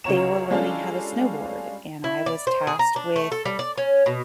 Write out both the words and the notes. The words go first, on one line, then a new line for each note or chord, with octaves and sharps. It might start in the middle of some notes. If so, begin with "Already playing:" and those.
they were learning how to snowboard, and I was tasked with
C#2 C#3 F4 C#5 A#5 E7
G3 G#3 C#4 D4 F4 A4
E4
D5
C5
G#4
A#5
D4
A3
A4
G3
D5
C#4
B2